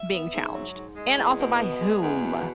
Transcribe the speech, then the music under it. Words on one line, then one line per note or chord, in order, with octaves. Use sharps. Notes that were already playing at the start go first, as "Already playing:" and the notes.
being challenged. And, also by whom.
Already playing: E5
B3
G#2
F#3
G#2
G#3 D#5
E2
B2
B3
G#3
E2
B2